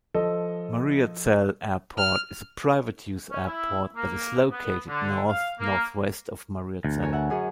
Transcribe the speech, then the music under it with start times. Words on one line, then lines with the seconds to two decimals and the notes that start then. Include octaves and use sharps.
Mariazell Airport is a private use airport that is located north-northwest of Mariazell.
0.14 F3 A4 D#5
1.98 F6
3.31 C#4
3.47 E4
3.96 A#3
4.51 B3
4.88 D3
5.27 F5
5.59 A#3
6.85 D2
7.01 A#4 C#5 G#5
7.13 E5 F#5
7.30 F#2 G#4 C#6